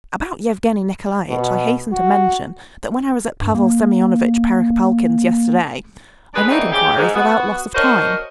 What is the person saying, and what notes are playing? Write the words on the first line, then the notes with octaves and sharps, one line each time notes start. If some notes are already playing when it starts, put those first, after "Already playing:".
About Yevgeny Nikolaitch I hasten to mention that when I was at Pavel Semyonovitch Perepalkin's yesterday I made inquiries without loss of time.
B2
F#4
G2
A#3
G#3 D4 G#4 B4
D3 E3 A3 C4 D4 D#4
C#3 G4
G#2
B3 F#4
D4 F#4 A#4 C5 C#5 D#5